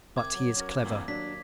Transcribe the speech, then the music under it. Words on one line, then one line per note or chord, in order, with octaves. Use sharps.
But he is clever.
C2 C3 D6 G#6
F#3 D5
C#4 F#4 A#4
E2 G2 A#2 G3 B3 C4
D#2 F#3 D4 B6